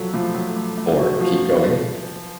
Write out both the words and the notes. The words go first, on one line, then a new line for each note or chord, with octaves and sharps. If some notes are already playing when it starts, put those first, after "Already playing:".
Or, keep going?
Already playing: F3 F#3 A4
F3 A3
F#3 A4
A3
A3
F#4
F3 F#4